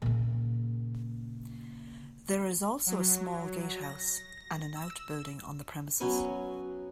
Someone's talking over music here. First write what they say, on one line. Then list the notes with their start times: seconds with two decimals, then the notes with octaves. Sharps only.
There is also a small gatehouse and an outbuilding on the premises.
0.02 A#2 C#3
2.86 F#3
3.81 A#6
4.75 E6
6.00 F#3 B3 C#4 G#5